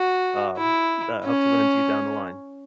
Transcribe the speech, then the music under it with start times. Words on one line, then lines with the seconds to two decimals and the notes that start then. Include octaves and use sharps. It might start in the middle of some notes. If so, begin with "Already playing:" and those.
Um, but I hope to run into you down the line.
Already playing: F#4
0.57 E4
1.24 C#4